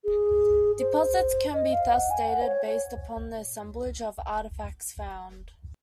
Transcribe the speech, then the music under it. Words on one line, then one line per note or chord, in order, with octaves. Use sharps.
Deposits can be thus dated based upon the assemblage of artifacts found.
G#4
C5
D#5
F5
F#5
G#5
F#5
C5
C#5
C#5